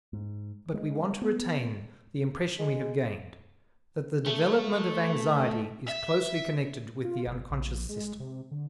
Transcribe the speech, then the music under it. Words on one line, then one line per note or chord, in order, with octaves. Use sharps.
But we want to retain the impression we have gained, that the development of anxiety is closely connected with the unconscious system.
G#2
G#3
B3
G#3
A3
E5
F4
F#1
A#1
G#3
C3
D3